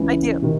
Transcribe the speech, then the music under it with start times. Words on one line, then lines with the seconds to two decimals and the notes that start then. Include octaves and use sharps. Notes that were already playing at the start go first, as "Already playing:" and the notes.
I do.
Already playing: C#2 C#3 E3
0.42 C3 D#3